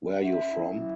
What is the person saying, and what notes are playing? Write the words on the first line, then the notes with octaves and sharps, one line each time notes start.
Where you from?
F#5
C#4 E5
E4
F#3